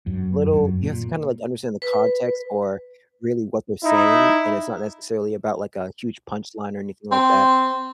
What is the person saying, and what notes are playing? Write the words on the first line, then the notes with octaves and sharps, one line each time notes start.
little you have to kind of, like, understand the context or really what they're saying, and it's not necessarily about, like, a huge punchline or anything like that.
F#2
F#2
A#2
B4
D#4 E4
C4